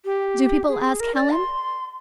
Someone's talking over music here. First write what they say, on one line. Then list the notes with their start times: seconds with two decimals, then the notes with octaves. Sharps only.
"Do people ask Helen?"
0.05 G4
0.68 G#4
1.00 A#4
1.15 D5
1.31 C6